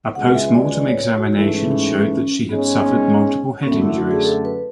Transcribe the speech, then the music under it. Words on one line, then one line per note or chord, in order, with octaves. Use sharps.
A post mortem examination showed that she had suffered multiple head injuries.
C#2 B2 G#3 F#5
E5
D5
D5
C#5
C#5
F#4
G#2 E3 A3 E4
C#4
C#4
C#4
G#2 G#3 B3 C#4
C#4
F#2 D3 A3 B3
E4
F#4
G#4
A4
B4